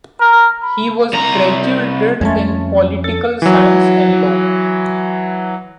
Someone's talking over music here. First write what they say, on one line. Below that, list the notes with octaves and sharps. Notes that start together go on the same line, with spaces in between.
He was graduated in political science and law.
A#4
B5
C2 A#5
F2 G#3 A3 C4 C#4
A4
E3 F#3